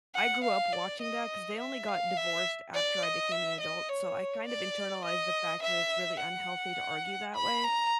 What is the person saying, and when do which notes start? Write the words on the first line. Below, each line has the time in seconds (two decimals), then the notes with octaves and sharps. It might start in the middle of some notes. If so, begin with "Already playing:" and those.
I grew up watching that, 'cause they only got divorced after I became an adult, so I kind of internalized the fact that it's really unhealthy to argue that way.
0.15 F#5
0.44 F5
0.73 D5
1.02 D#5
1.59 E5
1.88 F5
2.17 E5
2.74 D5
3.03 D#5
3.32 E5
3.60 D#5
3.89 C#5
4.47 D5
5.05 D#5
5.62 E5
6.20 F#5
7.35 B5
7.64 A#5